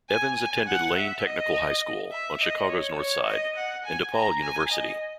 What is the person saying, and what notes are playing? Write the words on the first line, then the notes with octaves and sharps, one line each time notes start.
Evans attended Lane Technical High School on Chicago's North Side and DePaul University.
G#5
G#5
F#5
E5
D#5
E5
D#5
C#5
C#5
D#5
F#5
G#5
A#5
G#5
D#5